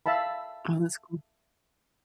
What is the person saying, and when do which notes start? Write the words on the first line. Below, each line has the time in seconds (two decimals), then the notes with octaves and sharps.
Oh, that's cool.
0.06 E5 F5 A5 B5